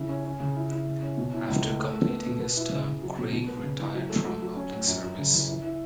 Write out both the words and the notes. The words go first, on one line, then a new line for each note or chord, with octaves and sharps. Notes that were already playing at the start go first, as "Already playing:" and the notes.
After completing his term, Craig retired from public service.
Already playing: C#3 E4
C#4
C#4
C#3
E4
E4
C#3
C#4
B2
E4
C#2
A3
A3
A3
B3
B2
B3
E4
C#3
C#3
F#3
B2
B2
B3
C#3
E3
F#3
A3
F#3
F#3
C#4
A2
F#2
F#2
C#3
E3
E4
E4